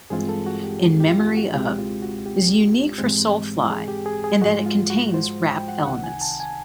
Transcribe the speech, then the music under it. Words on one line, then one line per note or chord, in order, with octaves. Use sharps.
"In Memory of..." is unique for Soulfly in that it contains rap elements.
G2 E3 G#3 C4 F4 G#4
A4
F#4
G4
G4
F4
F#4
C#2 B2 G#3 C4 E4 G4
F4
F#4
G4
G#2 E3 G#3 C4
G#4
G4
G#4
G#4
G#2 F3 G#3 F#4
F4
F#4
C5
G5
F#5
C2 C3 D#3 F#5
G#5
A5
G#5